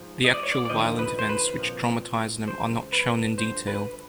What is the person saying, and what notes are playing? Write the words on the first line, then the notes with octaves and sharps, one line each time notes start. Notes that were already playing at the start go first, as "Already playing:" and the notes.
The actual violent events which traumatise them are not shown in detail.
Already playing: G#2 F3
D#5
D5
C#5
D5
D5
D#2 D3 F3 D#5
B4
C5
B4
C2 A#2 F3
C#2 C#3 E3 C5
B4
G2 D3 F3 C5
B4